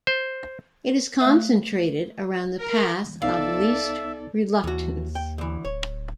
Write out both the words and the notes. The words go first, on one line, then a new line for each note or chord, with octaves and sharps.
It is concentrated around the path of least reluctance.
C5
A3 E5
A#4
C2 B3 D#4 A4 D5 E5 F5
D#2 E3 F#4
G5
D2 E3
D1 C#5